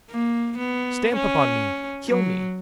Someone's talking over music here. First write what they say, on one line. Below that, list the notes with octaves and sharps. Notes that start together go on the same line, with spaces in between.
'Stamp upon me, kill me!
A#3
B3
C#4
F#3